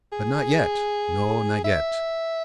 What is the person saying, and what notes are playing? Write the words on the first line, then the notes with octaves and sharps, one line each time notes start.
But not yet--no, not yet.
G#4
E5